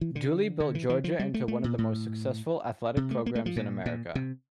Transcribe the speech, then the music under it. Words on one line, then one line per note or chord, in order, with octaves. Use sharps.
Dooley built Georgia into one of the most successful athletic programs in America.
E3
D3
D3
E3
E3
F3
G3
A3
A3
A#2
A2
C3
A3
A#3
A3
F3
A#2
A#2
C3